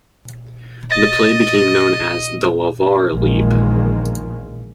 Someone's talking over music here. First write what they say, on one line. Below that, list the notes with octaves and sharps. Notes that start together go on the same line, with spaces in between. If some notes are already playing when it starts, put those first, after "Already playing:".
The play became known as "The LaVar Leap".
D#5 A6 A#6
A#1 E2 D#3 F3 G#3 A#3